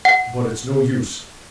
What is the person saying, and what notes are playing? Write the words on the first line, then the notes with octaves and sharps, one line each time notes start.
But it's no use.
F#5